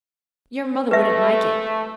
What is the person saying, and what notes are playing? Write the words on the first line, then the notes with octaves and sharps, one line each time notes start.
"Your mother wouldn't like it."
A3 B4 E5